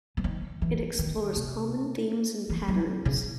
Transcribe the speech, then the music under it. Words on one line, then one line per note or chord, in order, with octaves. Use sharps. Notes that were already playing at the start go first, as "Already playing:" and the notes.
It explores common themes and patterns.
E3
D#3
E3
D#3
C3
E3
F#3
C#3